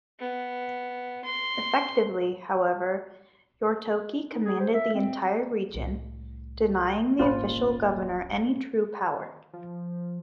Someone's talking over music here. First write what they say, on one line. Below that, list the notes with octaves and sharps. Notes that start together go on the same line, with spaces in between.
Effectively, however, Yoritoki commanded the entire region, denying the official Governor any true power.
B3
C6
D#4
G#4
C5
E5
C4
C2 A2
D1 G#1 A#2 C#4 F4 C5 B5
F3